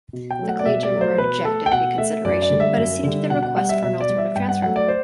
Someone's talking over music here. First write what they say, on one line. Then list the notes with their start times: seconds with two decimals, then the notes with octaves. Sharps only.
The collegium rejected reconsideration but acceded to the request for an alternative transfer.
0.13 B2
0.31 G5
0.39 F#3 A3
0.48 F#5
0.59 D5
0.65 B2 E5
0.83 D5
0.92 F#3 A3
1.01 C5
1.18 B2 B4
1.45 A3 A4
1.66 G5
1.72 B2 F#5
1.98 A3 E5
2.25 F#2 D5
2.42 D5
2.50 D3 G3
2.60 E5
2.77 F#2
3.03 D3 G3
3.30 B2 F#5
3.43 F#5
3.56 G3 F#5
3.69 E5
3.83 B2 E5
4.01 D5
4.09 G3
4.18 E5
4.35 G2 G5
4.49 F#5
4.62 F#3 A3 F#5
4.76 D5
4.88 C5